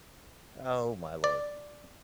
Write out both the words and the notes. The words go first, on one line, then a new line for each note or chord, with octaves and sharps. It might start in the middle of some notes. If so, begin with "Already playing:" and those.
Oh my lord.
D5